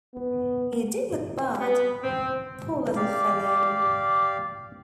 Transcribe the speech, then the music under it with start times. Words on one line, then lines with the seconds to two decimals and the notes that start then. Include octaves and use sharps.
He did look bad, poor little fellow!
0.14 B3
1.60 B3
2.03 C4
2.96 G4 D5 F5